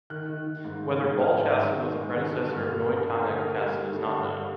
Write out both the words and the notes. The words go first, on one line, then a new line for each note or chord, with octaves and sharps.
Whether Boll Castle was a predecessor of Neu-Tannegg Castle is not known.
D#3 F#6
D#3
D#3
G#2
D#3
G#2
G#2 F6
D#3
G#2
D#3
G#3
D#3
D3
G2
F6
A#3
A#3
D3
D3
A#3 F6
G3
G3
D3
G2
G2